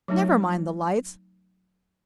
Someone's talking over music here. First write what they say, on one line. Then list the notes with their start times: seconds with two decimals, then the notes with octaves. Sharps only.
Never mind the lights.
0.08 F#3 A3 D#4